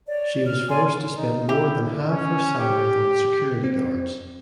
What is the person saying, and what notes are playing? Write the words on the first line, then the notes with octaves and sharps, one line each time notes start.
She was forced to spend more than half her salary on security guards.
C#5 D5
F6
C#5 D5 G#5 C6
D#4
E4 G4
C#4
G4
C4